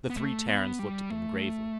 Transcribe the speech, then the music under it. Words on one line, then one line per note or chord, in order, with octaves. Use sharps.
The three Terrans looked at them gravely.
B3
A3
B3
G3
A3